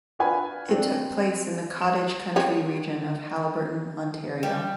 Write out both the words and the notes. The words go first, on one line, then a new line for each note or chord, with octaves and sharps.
It took place in the cottage country region of Haliburton, Ontario.
D4 F4 B4 G#5 B5
C4 D4
E7
F4 G4 C#5
G3